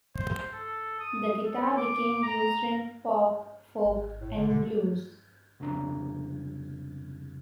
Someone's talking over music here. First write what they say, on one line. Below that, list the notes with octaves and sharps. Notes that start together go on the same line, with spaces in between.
The guitar became used in pop, folk, and blues.
C5
A4
D#6
A4
D6
A#5
G#1
A2
D3
B2 D3
C2 F2 C#3 D4 A#5